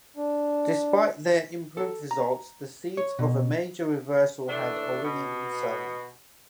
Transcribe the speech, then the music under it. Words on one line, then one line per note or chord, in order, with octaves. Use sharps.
Despite their improved results, the seeds of a major reversal had already been sown.
D4
A4
A#5
C#5
B2
E3 A3 D4
B2